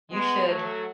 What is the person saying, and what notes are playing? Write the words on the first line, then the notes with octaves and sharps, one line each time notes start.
You should
G#3 B3
F#3 A3